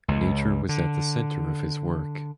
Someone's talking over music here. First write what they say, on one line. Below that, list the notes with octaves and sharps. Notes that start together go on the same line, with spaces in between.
Nature was at the centre of his work.
C#2
D3